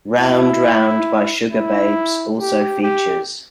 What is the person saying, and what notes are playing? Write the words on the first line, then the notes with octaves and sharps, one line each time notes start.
Round Round by Sugababes also features.
E4
E4
G4
G4